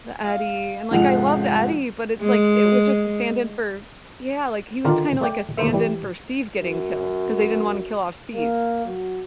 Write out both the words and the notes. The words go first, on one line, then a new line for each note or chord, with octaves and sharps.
The Eddie, and like, I loved Eddie, but it's like, it was just a stand in for yeah, like, he was kinda like a stand in for Steve getting killed 'cause they didn't wanna kill off Steve.
F5
F1 G#2 F3 F#5 F7
G#3
D3 D#3 F4 A#4 D5
A3 D5 G5
D#2 A#3 C5 E5
E3 G3
F#2
A#3
F#3